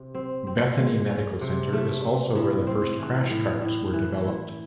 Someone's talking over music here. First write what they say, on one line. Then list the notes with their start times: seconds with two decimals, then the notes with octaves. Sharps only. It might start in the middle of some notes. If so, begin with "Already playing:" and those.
Bethany Medical Center is also where the first "crash carts" were developed.
Already playing: C3
0.15 C4
0.47 C4
0.78 G#3
1.09 C#4
1.41 C3
1.73 A3
2.04 C4
2.35 A2
2.67 C4
2.99 E3
3.30 A2
3.62 A2
3.93 E3
4.25 E4